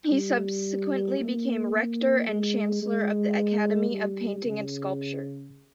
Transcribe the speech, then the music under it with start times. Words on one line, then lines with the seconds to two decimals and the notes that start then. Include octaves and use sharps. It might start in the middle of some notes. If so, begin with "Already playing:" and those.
He subsequently became rector and chancellor of the Academy of Painting and Sculpture.
0.11 G3
1.19 A#3
1.74 A#3
2.28 G#3
2.82 G#3
3.91 G3
4.45 C#3